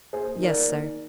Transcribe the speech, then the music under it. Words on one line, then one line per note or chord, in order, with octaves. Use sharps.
"Yes, sir."
A#3 G#4 C5
D#3
A#4 D5
A#3
D#3